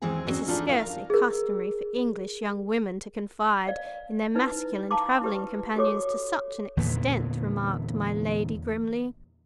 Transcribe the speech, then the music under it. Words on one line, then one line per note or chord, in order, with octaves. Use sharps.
"It is scarcely customary for English young women to confide in their masculine travelling companions to such an extent," remarked my lady grimly.
D#2 E3 G#3 C4 G#4 G#5
E2 C4 C#4 F#4 D#5
A3 B3 D4 D#4 F4 G#4
A#4 F5
G#4 A#4
D5 F5
D#4 E4 B4
F5 A5 A#5 C6 D6
E4 G4 B4
F#4 G4 A4 C#5 D6
E2 A#2 D3 E3